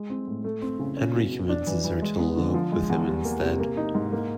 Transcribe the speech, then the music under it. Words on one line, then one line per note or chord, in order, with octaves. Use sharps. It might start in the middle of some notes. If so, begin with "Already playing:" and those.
Henry convinces her to elope with him instead.
Already playing: G#3
C4
A2
A3
C4
C#3
C#4
B2
B2
D4
E3
E3
G#3
B3
D3
F3
G#3
E2
G3
A#3
C3
A#3
D#4
G#2
A#3